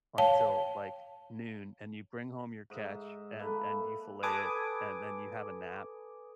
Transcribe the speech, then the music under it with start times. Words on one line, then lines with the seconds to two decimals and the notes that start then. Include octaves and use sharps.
until, like, noon, and you bring home your catch and and you fillet it and then you have a nap,
0.18 C#5 F5 G5 A5
2.70 G#2 D#5 E5
3.39 A#3 A4 B4 E5
4.23 A4 B4 G#5 D6 D#6